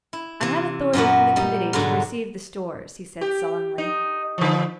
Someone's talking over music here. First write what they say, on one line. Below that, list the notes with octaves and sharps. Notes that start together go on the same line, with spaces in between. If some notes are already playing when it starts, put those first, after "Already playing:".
'I have authority from the Committee to receive the stores,' he said sullenly.
E4
C3 E3
F#2 A#2 B3 F#4
G3 D#4
G#2 B2 D3 F#3
G4
D#4
D3 F3